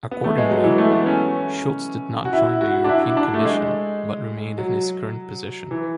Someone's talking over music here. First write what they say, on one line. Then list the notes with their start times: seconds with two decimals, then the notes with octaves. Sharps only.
Accordingly, Schulz did not join the European Commission but remained in his current position.
0.11 B3
0.24 A3
0.38 G#3
0.50 F#3
0.64 E3
0.78 A3
0.92 B3
1.06 C#4
2.25 F#4
2.33 E4
2.61 F#4
2.84 D4
2.89 E4
3.17 D4
3.34 A3
3.45 G#3
4.58 F#3
5.71 E3